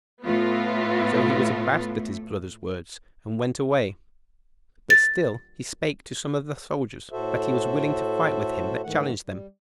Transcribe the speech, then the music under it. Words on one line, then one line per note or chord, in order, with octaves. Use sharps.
So he was abashed at his brother's words, and went away, but still he spake to some of the soldiers that he was willing to fight with him that challenged them.
A2 A3 B3 F4
A6
A2 F#4 A4 C5 E5
G#2 D#3 E3 A3 F#5
G3